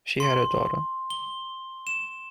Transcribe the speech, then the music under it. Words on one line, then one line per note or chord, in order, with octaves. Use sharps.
She had a daughter.
C6
G7
E7